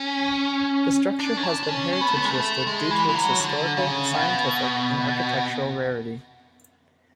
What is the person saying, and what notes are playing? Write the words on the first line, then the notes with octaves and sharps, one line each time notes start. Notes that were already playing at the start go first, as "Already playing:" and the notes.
The structure has been heritage listed due to its historical, scientific and architectural rarity.
Already playing: C#4
D4
C#4
D4
D4
C#4
C#4
B3
A3
B3
G#3
A3
G#3
E3
E3
F#3
D3
C#3
B2